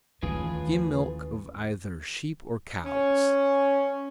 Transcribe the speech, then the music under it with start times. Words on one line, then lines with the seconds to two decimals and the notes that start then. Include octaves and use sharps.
Skim milk of either sheep or cows.
0.23 D#2 A2 D#3 E3 C#4 F4 G#4 B4
2.86 C#4